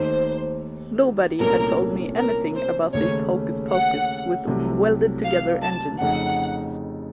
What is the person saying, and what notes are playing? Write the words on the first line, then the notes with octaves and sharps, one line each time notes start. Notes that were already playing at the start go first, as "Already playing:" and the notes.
Nobody had told me anything about this hocus-pocus with welded-together engines.
Already playing: D#2 D#3 A3 D#4 A4 C5
C2 A#2 A3 C#4 A4 A#4
A#4
C5
D#2 C#3 A3 C#4 C#5
F#5
C2 C3 F#3 A3
F5
A5
F2 C#3 A3 D#4 A4 F#5